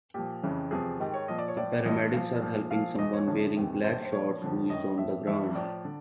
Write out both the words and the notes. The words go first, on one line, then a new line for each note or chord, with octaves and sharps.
The Paramedics are helping someone wearing black shorts who is on the ground.
A#2 F3 G4
F2 C#3 E3
E2 C3 F3 G#4
G#2 D#3 G4
C#5
A#2 F3 D#5
D5
C#5
A2 F3 D5
G2 E3 D#5
A#2 F3 F5
A#2 F3
A#2 F3 F5
E2 B2 D#5
C#5
F#2 D3 F3
E2 C3 D#3
G2 D#3 C5
C5
A#2 F3 C#5
F2 D3 F3
F#2 D#3 D#5
A2 F3 E5
G2 E3 E5
A2 F3 D5
D3